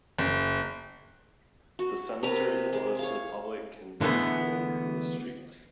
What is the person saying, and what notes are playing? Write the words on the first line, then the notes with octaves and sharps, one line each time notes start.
The cemetery, closed to the public, can be seen from the street.
F#1
F#4
C3 A#4 B4 A#5
G#3
C#5 F5
D3 E3 G#3 A3 B3